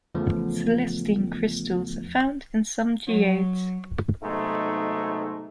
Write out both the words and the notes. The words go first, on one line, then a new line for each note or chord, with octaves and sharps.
Celestine crystals are found in some geodes.
E2 C#3 F3 A3 B3
F#3
B1 G#2 C3 A3